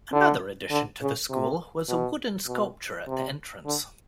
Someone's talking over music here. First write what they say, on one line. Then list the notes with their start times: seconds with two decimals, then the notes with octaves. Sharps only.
Another addition to the school was a wooden sculpture at the entrance.
0.13 D3
0.71 D3
1.02 C#3
1.30 C3
1.89 B2
2.47 B2
3.07 C3
3.66 D3